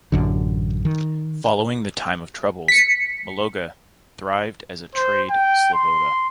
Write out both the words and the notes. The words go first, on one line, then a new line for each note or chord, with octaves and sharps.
Following the Time of Troubles, Mologa thrived as a trade "sloboda".
A1 F#2 D3
D#3
B6 C#7
C5
G5
C6